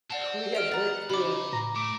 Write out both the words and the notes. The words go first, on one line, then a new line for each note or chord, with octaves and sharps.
we had went through
C4 D5 F#5 A5
F6 D7 F7
B3 F#5 A#5 A6
C#3 D#4 B5 D6
A2 A#5
A3 D6